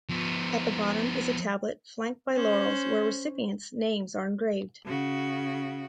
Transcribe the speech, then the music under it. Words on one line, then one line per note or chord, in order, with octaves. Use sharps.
At the bottom is a tablet flanked by laurels where recipients' names are engraved.
F3 B3
C#4 C5
C#3 F#4